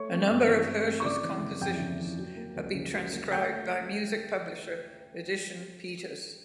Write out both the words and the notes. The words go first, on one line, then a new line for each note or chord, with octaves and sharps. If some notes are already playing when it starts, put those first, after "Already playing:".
A number of Hersch's compositions have been transcribed by music publisher Edition Peters.
Already playing: A3 C#5 C#6
C4
G2
E3
A3
C4
C#6
C#3 D5 D6
E3
F#1
F2 G5 G6
C#3
E3
F#3
A#3
C#2
C#3
F#3
A#3
A3 G5 G6